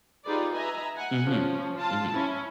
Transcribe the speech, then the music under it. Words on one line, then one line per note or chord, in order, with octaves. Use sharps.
Mhm. Mhm.
D#4 F4 G4 G#4 B4 D5
B4 D#5 E5 G#5 A#5
F#5 G#5
F3 C#4
F4 A5
C#4 E4